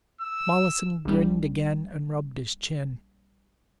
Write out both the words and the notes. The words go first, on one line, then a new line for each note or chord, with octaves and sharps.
Mollison grinned again and rubbed his chin.
E6
A#1 G3